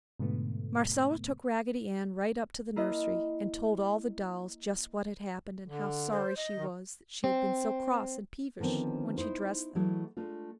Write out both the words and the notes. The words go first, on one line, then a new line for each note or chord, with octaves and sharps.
Marcella took Raggedy Ann right up to the nursery and told all the dolls just what had happened and how sorry she was that she had been so cross and peevish when she dressed them.
G#2 B2 D3 A3 B3
A#3 E4 D#5
D3
C5
D#5
D#3
C4
D3 D#3 F3 B3 C4
D#4 E4 C5
E3 F#3 G#3 A3 E4
G#3 A3 D4 F4